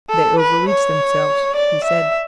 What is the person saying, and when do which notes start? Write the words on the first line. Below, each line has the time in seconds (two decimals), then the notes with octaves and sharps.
"They overreached themselves," he said.
0.10 A4
0.39 B4
0.69 C#5
1.55 D5
1.84 E5